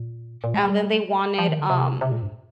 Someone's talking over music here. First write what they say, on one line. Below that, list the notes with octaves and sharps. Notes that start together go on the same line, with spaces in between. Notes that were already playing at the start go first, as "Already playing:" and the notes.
and then they wanted, um,
Already playing: A#2
A#2
G#3
G3
F3
D#3
D3
C3
C3
A#2
G2